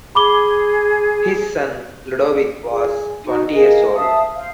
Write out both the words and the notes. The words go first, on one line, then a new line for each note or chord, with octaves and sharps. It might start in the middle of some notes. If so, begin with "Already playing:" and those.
His son Ludovic was twenty years old.
G#4 B5 D6 G7
G#4
D#4 F#4
G#4 A#4 D#5 F5
E5 F5 A5 D#6
C5 F5